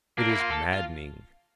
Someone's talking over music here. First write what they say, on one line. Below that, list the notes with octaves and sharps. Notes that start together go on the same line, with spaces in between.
It is maddening.
A#3 D4
E4
F4
A4
F4